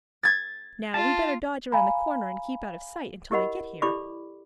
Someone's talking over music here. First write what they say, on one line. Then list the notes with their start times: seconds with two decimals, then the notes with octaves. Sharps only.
Now we'd better dodge around the corner and keep out of sight until they get here.
0.23 G#6 A6
0.94 F4 A5
1.72 F5 G#5 A#5 B5
3.31 E4 G4 A#4 D#5 F#5 B5
3.82 E4 G4 A4 D5 B5 D6